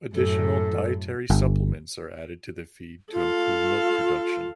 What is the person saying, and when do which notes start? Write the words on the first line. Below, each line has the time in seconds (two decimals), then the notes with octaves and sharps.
Additional dietary supplements are added to the feed to improve milk production.
0.14 F#2 A2 A4
1.30 G1
3.13 F4 A4 F5